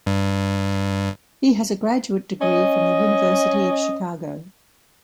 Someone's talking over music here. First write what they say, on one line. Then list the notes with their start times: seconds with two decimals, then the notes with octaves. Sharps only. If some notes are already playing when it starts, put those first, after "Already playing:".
He has a graduate degree from the University of Chicago.
0.06 G2
2.41 C#4 D#5